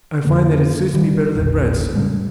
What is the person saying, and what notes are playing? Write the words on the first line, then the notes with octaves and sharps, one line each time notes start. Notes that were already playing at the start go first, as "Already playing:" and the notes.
"I find that it suits me better than bread, sir."
F2 D3 A#3
D#3 G3
E1 A#1
A2 C#3 G3 G#3